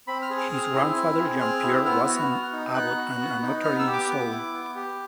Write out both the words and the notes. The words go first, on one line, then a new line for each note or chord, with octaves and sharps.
His grandfather Jean-Pierre was an abbot and a notary in Soule.
C4 B5
F6
G#4
F6
C4 F6
E4
C4
G#4
C4 F6
E4
B3 F6
F#4
B3
D#4
B3 F#6
F#4
B3
D#4
B3 F6
E6
G4
D6
B3 D6
E4
B3
G4